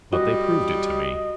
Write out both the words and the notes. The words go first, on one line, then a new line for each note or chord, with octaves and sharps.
But they proved it to me.
G3 F#4 D#5